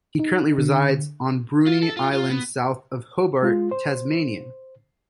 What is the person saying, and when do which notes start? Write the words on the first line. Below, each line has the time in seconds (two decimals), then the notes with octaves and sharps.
He currently resides on Bruny Island south of Hobart, Tasmania.
0.20 D#4
0.58 D3
1.66 F4
1.83 A4
1.97 F4
2.13 F4
2.30 B3
3.43 G#3 F4
3.71 C5